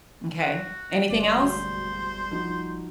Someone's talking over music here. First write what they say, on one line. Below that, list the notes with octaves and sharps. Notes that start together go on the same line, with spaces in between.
M'kay. Anything else?
F#4
G1 G3 D5
E1 D2 F#4 C5
F3 D#4 F#4